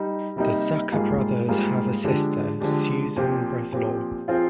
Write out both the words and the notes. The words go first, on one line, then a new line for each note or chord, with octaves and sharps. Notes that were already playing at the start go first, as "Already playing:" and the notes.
The Zucker brothers have a sister, Susan Breslau.
Already playing: G3 D#4
C3 G3 A#3 D#4
G#2 G3 A#3 F4 G#4
G#2 G3 A#3 F4 G#4
D3 F3 G#3 D4 G4
D3 F3 G#3 D4 G4
A#2 F3 C4 G4
A#2 F3 C4 G4
F3 C4 F4 G#4